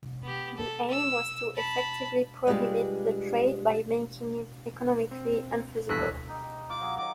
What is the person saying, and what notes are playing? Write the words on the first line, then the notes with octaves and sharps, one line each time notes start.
The aim was to effectively prohibit the trade by making it economically unfeasible.
B3 G4
A4
E6
A5 B5
G3 G#3 D4 F4 G4 B4
C4
A#1 E2 G2 A4 F#6 B6
D#4 G4
F4 D6
F#3 G#4
D#3 C#5 D6